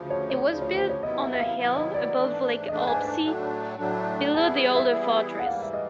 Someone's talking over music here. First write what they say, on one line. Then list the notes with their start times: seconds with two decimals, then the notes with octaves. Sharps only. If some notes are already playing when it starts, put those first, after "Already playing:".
It was built on a hill above lake Alpsee, below the older fortress.
Already playing: D2 C#3 F3
0.10 C#5
0.30 C#5
0.48 D2 C#3 F3 D5
0.62 C#5
0.75 C5
0.89 C#5
1.02 C3 D#3 F#3 B3 E4 D#5
1.21 E5
1.34 E5
1.40 F5
1.58 C3 D#3 F#3 B3 E4
1.76 D#5
1.94 D5
2.13 G#2 E3 A3 D4
2.68 G#2 E3 A3 D4 D#5
2.87 G#5
3.05 A5
3.23 A2 F#3 A3 D4
3.78 A2 F#3 A3 D4
4.34 E3 G3 B3 E4 G#4 A5
4.48 E5
4.76 E5
4.88 E3 G3 B3 E4 G#4
5.39 F#5
5.45 G#2 E3 G3 A#3 F5
5.62 E5
5.73 D#5